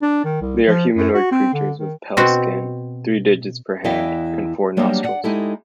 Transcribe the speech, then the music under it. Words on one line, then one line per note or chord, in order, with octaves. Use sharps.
They are humanoid creatures with pale skin, three digits per hand, and four nostrils.
D4
D#3
C2
F3
F#2
F#4
C4
D3
D#3
B2 C4 F#4
E2 E3 E4 D#5 F5 G5
F#3 G3 A#3 B3 D4 G4
D5 F#5
G#3 D#4 E4 G4 A4